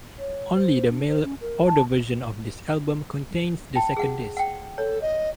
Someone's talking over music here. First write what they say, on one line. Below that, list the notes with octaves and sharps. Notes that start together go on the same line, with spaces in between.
Only the mail-order version of this album contains the second disc.
C#5
C5
D4
C5
C#4
A#4
A5
G5 A5
G#4 F#5
F#5 G5
A4 C#5
D#5